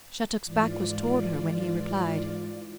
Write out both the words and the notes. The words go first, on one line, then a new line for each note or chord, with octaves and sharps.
Shattuck's back was toward her when he replied.
G#2 E3 F4 D5